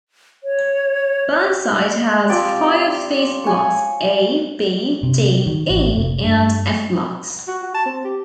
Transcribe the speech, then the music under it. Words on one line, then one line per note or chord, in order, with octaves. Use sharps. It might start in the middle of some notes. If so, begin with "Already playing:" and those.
Burnside has five of these blocks: A, B, D, E and F blocks.
C#5
F3 C4 G4 D5
C#5 G#5
C3
D#3
A1
F1
G2
F#4
F#4
A5
C4
G4